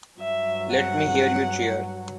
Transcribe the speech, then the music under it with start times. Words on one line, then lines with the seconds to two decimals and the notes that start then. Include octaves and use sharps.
Let me hear you cheer!
0.19 G2 F#3 E5
0.73 F#5